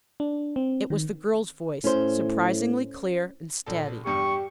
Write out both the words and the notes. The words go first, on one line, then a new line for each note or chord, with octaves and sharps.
It was the girl's voice, surprisingly clear and steady.
D4
C4
D#3
A2 C#4 C5
A#1 A4
E2 G2 G4 C#6